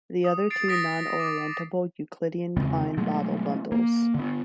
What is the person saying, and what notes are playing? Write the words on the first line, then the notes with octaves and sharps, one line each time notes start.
The other two non-orientable Euclidean Klein bottle bundles.
D#6
A6 C7 D7
D#6 A#6 B6 D7
D6
E2 C#3 G#3 C4
B2 F#3 G#3 A3
A#3
D3 B3